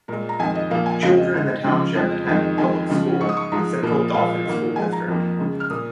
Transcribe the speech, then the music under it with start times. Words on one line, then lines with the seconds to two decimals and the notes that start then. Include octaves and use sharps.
Children in the township attend public school the Central Dauphin School District.
0.08 A#2 G#3 A#4
0.29 A#5
0.39 F2 D#3 G#3 G#5
0.55 D#5
0.70 A#2 F3 A#3 F5
0.86 G#5
1.02 F2 C#3 G#3 F5
1.18 D#5
1.34 G#2 G#3
1.64 C#3 F3 G#3
1.95 F2 F3 G#3
2.27 F2 D#3 G#3
2.58 F2 D#3 G#3 G#5
2.90 C#3 F3 G#3
3.21 G#2 G#3 C#6
3.29 D#6
3.37 C#6
3.52 G#2 F3 G#3 A#5
3.83 A#2 F3 A#3
4.14 A#2 F3 G#3 F5
4.45 G#2 D#3 A#3
4.76 G#2 F3 G#3 G#5
4.92 A#5
5.08 F2 F3 A#3
5.39 C#3 G#3
5.60 F6
5.70 A#2 A#3 D#6